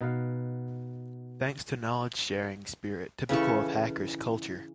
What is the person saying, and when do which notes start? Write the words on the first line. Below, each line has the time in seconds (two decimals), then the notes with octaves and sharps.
Thanks to knowledge sharing spirit typical of hackers culture.
0.01 B2 D#4 B4 F5
3.29 C#3 E3 A4 C#6